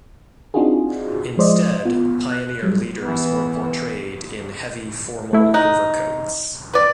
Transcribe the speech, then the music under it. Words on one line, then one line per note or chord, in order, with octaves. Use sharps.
Instead, pioneer leaders were portrayed in heavy formal overcoats.
C4 D4 D#4 F4 F#4 G#4
F3 G#3 C5 D5 D#5
B3 F4
F#6
F#3 G3
E3 B3
A3 E4
D#4 F#6
B4 D5